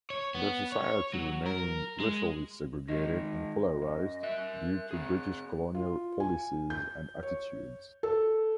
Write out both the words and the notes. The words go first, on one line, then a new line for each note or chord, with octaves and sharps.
The society remained racially segregated and polarised due to British colonial policies and attitudes.
C#5
B3
C#5
F#3
A#4
G#3
D#3 G#3 D#5
F#2
A#4 E5 F#6
C4 G#4
F4
G#5
G6
C#5
A4